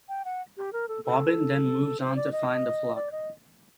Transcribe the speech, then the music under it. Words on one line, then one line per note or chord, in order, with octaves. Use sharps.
Bobbin then moves on to find the flock.
G5
F#5
G4
A#4
A4
A4
C5
D5
D#5
D5
D#5